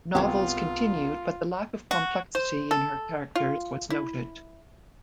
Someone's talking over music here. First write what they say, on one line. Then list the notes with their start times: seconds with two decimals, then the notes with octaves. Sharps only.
Novels continued but the lack of complexity in her characters was noted.
0.15 C2 F#3 G#3 B3 F4 G4
1.91 F#4
2.35 C5
2.71 A4
3.35 F4
3.90 E4